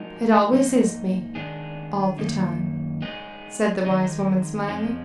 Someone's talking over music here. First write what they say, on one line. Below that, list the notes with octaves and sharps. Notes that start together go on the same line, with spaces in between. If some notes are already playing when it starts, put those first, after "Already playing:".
"It always is me, all the time," said the wise woman, smiling.
Already playing: F3 G#3 D#4 F#4 A#4
G#2 F3 A#3 D#4
D#3 G#3 B3 D4 G#4
F#2 D#3 A#3 D#4
G#3 B3 D#4 G#4
D#3 G#3 D#4
F2 F3 G#3